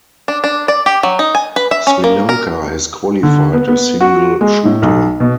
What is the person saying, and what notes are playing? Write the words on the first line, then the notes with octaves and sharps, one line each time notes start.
Sri Lanka has qualified a single shooter.
D4
D4
D5
G4
F#3
D#4
G#5
B4
E5
C#4
A#3
A#4
D3
B3
B3
F#4
G#3
A2
B1
B2